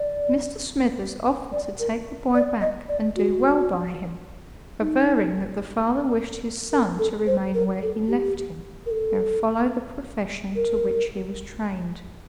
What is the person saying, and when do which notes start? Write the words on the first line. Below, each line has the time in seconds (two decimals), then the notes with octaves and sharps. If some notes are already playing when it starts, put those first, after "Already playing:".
Mr. Smithers offered to take the boy back and "do well by him," averring that the father wished his son to remain where he left him, and follow the profession to which he was trained.
Already playing: D5
1.52 D5
1.80 A#4
2.34 D5
2.61 D#5
2.89 D5
3.16 F#4
4.80 D#4
6.72 A#4
6.99 A4
7.27 C5
7.54 A#4
7.82 A4
8.08 G4
8.86 A#4
8.91 A4
10.55 A#4